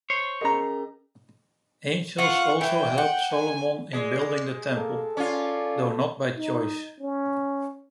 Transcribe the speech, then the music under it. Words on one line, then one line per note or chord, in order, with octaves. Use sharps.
Angels also helped Solomon in building the Temple; though not by choice.
C5 C#5
C#4 G#4 A#4 D#5 A#5
F4 F5 F#5 C#6
E3 G5
F#5
G#5
G#3 D5
A#3 A4
C#4 F4 D5
D#4
C#4